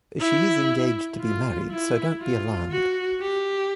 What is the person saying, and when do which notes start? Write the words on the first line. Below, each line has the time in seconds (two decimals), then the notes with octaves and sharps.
She is engaged to be married, so don't be alarmed.
0.20 E4
1.20 F4
1.71 E4
2.21 F4
2.71 F#4
3.21 G4